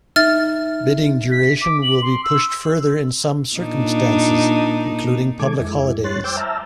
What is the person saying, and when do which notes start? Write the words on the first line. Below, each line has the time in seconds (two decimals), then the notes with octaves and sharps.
Bidding duration will be pushed further in some circumstances, including public holidays.
0.16 D#4 E5 F6 A6
1.31 B6
1.61 D6
1.83 F#7
2.02 C6
2.24 E6
3.56 A#2 D4 D#4
5.40 D#3 G#3 A4 D6 G#6
5.61 F2 G#3 E4
6.04 G3 C#5 C6 F#6 A6
6.24 C5 G5 D6 E6 G6
6.37 E5 A5 A#5 E6 F6